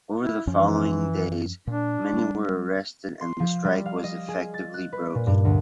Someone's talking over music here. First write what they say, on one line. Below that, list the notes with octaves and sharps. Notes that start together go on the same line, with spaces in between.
Over the following days, many were arrested and the strike was effectively broken.
E4
F#2 E3 F3 C#4
A#2 D4
G3
C6
F3
G3
F5
D#5
G#4
A6
F#6
B4
A#2
G2
D2